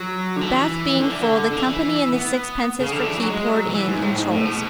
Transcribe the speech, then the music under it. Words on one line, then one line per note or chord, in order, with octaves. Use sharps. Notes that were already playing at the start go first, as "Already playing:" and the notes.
Bath being full, the company, and the sixpences for tea, poured in, in shoals.
Already playing: F#3
D3
E3
D3
E3
D3
D3
E3
B3
C#3
D3
E3
F#3
G#3
F#3
E3
G#2
A2
G#2
A2
B2